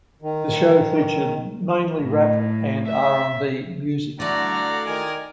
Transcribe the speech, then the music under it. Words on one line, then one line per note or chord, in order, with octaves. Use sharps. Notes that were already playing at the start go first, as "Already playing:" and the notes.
The show featured mainly rap and R and B Music.
D#3
A2
E5
D3 A3 E4 F#4 D5 F5 F#5 A#5
D#3 A#4 G#5